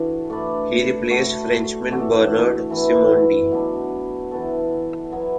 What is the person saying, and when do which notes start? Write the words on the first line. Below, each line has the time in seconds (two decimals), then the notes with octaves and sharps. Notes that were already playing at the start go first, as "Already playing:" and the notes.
He replaced Frenchman Bernard Simondi.
Already playing: E3 D4 F#4 A4
0.30 A3 D4 B4 D5
1.10 A3 F#4 A4
1.91 E3 D4 F#4 A4
2.70 E3 B3 E4 B4
3.52 B2 F#3 B3 D4
4.31 E3 B3 F#4 A4
5.12 F#3 B3 E4